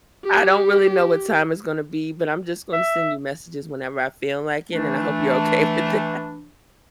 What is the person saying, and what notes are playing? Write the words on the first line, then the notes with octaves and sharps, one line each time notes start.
I don't really know what time it's gonna be, but I'm just gonna send you messages whenever I feel like it, and I hope you're okay with that.
G4
E5
E3 A3 D4